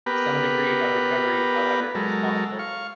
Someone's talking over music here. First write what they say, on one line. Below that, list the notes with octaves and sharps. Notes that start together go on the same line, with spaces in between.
Some degree of recovery, however, is possible.
B3 G4 A#4 B4
F#3 G#3 A4 A#4
F5 C#6